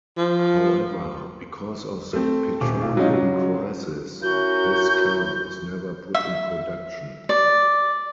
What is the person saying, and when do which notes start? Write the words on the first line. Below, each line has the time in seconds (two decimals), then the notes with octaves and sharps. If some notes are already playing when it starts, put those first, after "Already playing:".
However, because of the petroleum crisis this car was never put in production.
0.18 F3
2.13 A3 C4
2.61 D#1 D6
2.82 B1
2.97 F#3 C4 C#4 D#4 F4
3.10 C#3 F#3
4.22 C#4 E4 F#4 A#4 G6
6.14 E5
7.29 D5